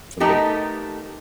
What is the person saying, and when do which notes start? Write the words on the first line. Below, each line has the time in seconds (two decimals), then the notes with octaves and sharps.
for me.
0.20 A3 B3 D#4 G4 A4 A#4